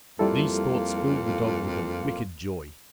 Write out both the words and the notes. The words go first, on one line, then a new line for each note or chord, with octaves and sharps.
These thoughts filled the dog with a wicked joy.
F2 G3 A#3 E4 F4 A4